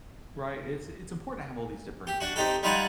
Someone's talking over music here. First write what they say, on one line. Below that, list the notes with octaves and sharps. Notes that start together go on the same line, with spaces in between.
Right. It's it's important to have all these different,
G4
D4 F#4
C4 D#4 G4 A4
G3 D#4 F4 D5 F#5 G#5